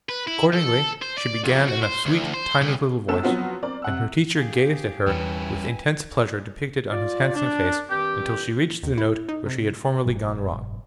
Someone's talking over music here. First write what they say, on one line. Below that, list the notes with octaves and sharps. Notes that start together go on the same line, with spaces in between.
Accordingly, she began in a sweet, tiny little voice, and her teacher gazed at her with intense pleasure depicted on his handsome face until she reached the note where she had formerly gone wrong.
B4
E4
A4
C5
D5
F2
F#4
C5
D2
C5
C2
G1 C#3 B3 A4 E6 E7
F3 F#3 B3 C4 F4 F#4
C4 A#4 D5
C3 F#5 E6
G4 G#4 F5
E2 G3 C#4 E4 B4 G5 G#5
F4 D5
D4
G2 D#3 C4 G4
D#2
E4
D#4
C3
F#1 G#2 B2 F#3